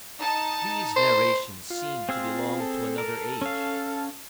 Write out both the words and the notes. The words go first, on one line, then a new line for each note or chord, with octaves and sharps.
These narrations seemed to belong to another age.
D#4 A5
C5
F4
C4 G#4 E6
A4
A#4
C#4 F5